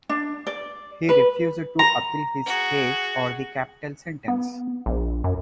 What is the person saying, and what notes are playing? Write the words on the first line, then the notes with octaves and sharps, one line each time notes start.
He refused to appeal his case or the capital sentence.
D4
D5
B4
A#5
F#4 G#4
B3
A#1
F#2